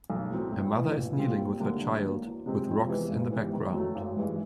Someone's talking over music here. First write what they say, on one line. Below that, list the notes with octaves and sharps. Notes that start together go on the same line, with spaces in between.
A mother is kneeling with her child with rocks in the background.
B1
A2 F#3 A3 C4
A1
A2 E3
A#1
A#2 G3 C4 F4
D#2
D3 G3 A#3
D3
F#3 A#3
E2
C3 F3 G#3 C4
F2
C3 E3 G#3 B3
G#1
G#2 E3 G3 B3
D#3
F#3 A3
G#1
G2 E3 G#3